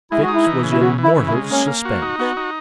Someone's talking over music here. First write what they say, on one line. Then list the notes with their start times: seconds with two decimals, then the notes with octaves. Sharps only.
Fix was in mortal suspense.
0.11 G#3 E4
0.22 F#4
0.28 D#4
0.33 E4
0.47 E3
0.63 C#3
0.72 E4
0.81 E3 F#4
0.98 E3
1.03 E4
1.16 C#3
1.27 E4
1.33 G#3
1.51 A#3 C#4
1.67 A#3
1.85 F#4
2.02 D#4
2.19 B3 F#4
2.37 D#4